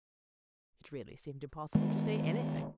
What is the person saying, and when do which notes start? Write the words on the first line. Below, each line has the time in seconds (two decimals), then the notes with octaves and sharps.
It really seemed impossible to say anything!
1.75 D#3 G#3 B3